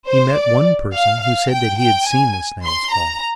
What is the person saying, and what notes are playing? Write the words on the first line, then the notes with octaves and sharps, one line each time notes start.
He met one person who said that he had seen the snails fall.
C5
D5
F5
F5
G5
G5
G#5
C6
A#5